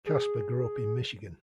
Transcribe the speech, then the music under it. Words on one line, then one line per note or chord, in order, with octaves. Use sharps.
Kasper grew up in Michigan.
G#4